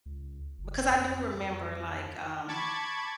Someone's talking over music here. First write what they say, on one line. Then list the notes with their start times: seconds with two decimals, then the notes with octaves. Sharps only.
because I do remember, like, um,
0.06 C#2
0.58 F#1
0.91 F2
1.35 F2
2.48 A5 B5 C#6 D6 G#6 A6